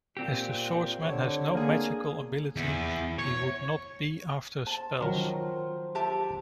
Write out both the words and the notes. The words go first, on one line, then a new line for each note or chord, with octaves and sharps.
As the Swordsman has no magical ability he would not be after spells.
A#2 C4 G4
D3 C#5
A#3 G#4
E2
C#5
C5 A5
D#3 F3 F#3 A#4
G4 E5 A5